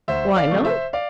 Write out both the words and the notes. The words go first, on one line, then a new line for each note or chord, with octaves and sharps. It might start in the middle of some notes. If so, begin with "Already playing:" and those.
"Why not?"
D2 C5 E5
D5 F5
C3 F3 A3
C5 E5
D5 F5